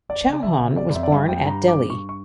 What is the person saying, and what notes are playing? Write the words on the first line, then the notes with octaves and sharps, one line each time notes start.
Chauhan was born at Delhi.
F2 D5
D3
C#3
C#3 E5
C#3
F2 D5
G2
F2 E5
D5
G2 E5
F2 G5
G2 A#5
D6
C#6
C#6